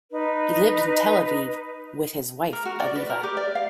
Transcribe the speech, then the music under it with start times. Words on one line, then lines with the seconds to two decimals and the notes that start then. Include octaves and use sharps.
He lived in Tel Aviv with his wife Aviva.
0.11 D#4 B4
2.53 A#4
2.65 F#4
2.80 D5
2.96 B4
3.10 A#4
3.23 G4
3.37 D5
3.55 F5